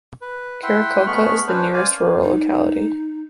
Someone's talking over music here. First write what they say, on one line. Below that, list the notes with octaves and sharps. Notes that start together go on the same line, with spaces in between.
Karakulka is the nearest rural locality.
B4
E4 E5 F#5 G5 C6
G#3 A3 B3 B5 C#6 F6
C#4 D4 B4 C5
C5 D5 F5 G#5
D#4